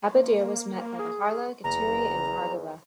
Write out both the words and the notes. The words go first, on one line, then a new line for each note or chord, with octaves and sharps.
Abadir was met by the Harla, Gaturi and Argobba.
A#3
G#4
F#1 E2 A#5